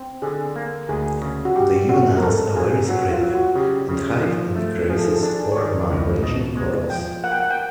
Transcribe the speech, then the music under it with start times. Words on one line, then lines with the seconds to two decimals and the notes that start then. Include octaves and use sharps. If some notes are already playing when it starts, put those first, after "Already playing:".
The juveniles are very secretive and hide in crevices or among branching corals.
Already playing: C4
0.22 D3 G#4
0.56 A#3
0.89 D2 G#4
1.22 C#3
1.45 F#4
1.56 G3 G4
1.89 G3 F#4
2.17 A#4
2.23 G#2 A4
2.56 A#3 G#4
2.89 F#3 F#4
3.11 F4
3.23 F#3
3.34 F#4
3.55 C#3 G4
3.89 C#3
4.23 F3
4.56 A3
4.89 F3 G#4
4.97 A4
5.05 G#4
5.13 A4
5.21 D4 G#4
5.52 C#5
5.56 D#3 D5
5.90 C#2
6.23 B2 D#5
6.57 G#3
6.90 F3 G5
7.24 A#3 F#5
7.32 G5
7.40 F#5
7.50 G5